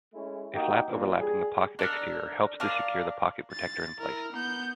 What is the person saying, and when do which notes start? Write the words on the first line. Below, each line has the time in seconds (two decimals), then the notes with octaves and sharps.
A flap overlapping the pocket exterior helps to secure the pocket protector in place.
0.14 G#3 A3 C#4 E4
0.53 A#3 D#4 F#4 G4
0.88 F#2 E3 A#3 D4 F4
1.20 G3 G#4
1.79 D4 A4 A#4
2.60 D4 A#4 D5 F5
3.52 A6
3.99 E4 A#4
4.32 B3 G6